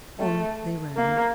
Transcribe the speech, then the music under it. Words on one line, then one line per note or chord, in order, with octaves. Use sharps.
On they ran.
A3
A#3